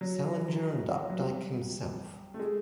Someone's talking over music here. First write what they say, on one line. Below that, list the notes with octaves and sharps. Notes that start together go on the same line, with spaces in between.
Salinger and Updike himself.
F#3
F#3
G3
A3
G#3